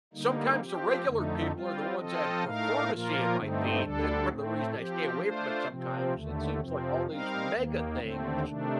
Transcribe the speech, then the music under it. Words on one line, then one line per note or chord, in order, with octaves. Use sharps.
sometimes the regular people are the ones I'd prefer to see in my feed- that's part of the reason I stay away from it sometimes- it seems like all these mega things
D3 G3 A#3 D#4
F3 C4 G4
F2 D3 A3 D#4
G3 C4 F4
F3 C4 F4 A4 D#5
A2 A3 D#4 A#4 F5
A#2 F3 A#3 F4 A#4
G2 D3 A3 C4 D#4
D2 D3 G3 D4 A4
A2 A3 C4
F3 C4 G4
A3 D4 F4 C5
C3 F3 C4
D#2 D3 A3
F2 C3 F3 C4
G3 C4 D#4 A#4 F5
D#2 D#3 A#3
D#2 D3 A3 C4
C3 D#3 A3 D4